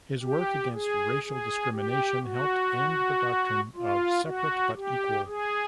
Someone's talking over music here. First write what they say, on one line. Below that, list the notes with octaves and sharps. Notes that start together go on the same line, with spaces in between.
His work against racial discrimination helped end the doctrine of separate but equal.
G4
G#4
G#4
G4
F#4
F4
F#4
G4
G#4